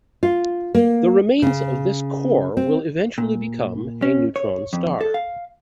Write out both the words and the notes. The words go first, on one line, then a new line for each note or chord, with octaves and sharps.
The remains of this core will eventually become a neutron star.
F4
A#3
C#3
C4
A#2
C#4
C#5
F2
A4
F5